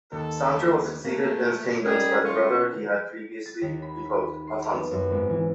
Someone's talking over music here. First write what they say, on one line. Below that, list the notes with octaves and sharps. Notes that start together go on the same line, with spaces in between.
Sancho was succeeded in his kingdoms by the brother he had previously deposed, Alfonso.
D#2 A4
A3 A#3
G3 C#4 E4 G#4 A#4 D#5
F4 C#6
A6
D#2
B5
B6
C6
B3
F#2
G#1
E3